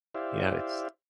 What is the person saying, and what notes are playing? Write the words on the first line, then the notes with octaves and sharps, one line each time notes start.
you know, it's
E4 G4 C5 D5 E5 F5